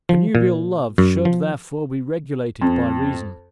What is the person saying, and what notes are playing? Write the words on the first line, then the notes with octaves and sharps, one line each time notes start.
Connubial love should, therefore, be regulated by reason.
F3
A#2
F#2
F3
F2